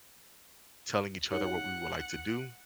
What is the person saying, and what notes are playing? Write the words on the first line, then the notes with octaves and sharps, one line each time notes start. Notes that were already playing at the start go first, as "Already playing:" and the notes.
telling each other what we would like to do
D#4 G4 C#5 F#5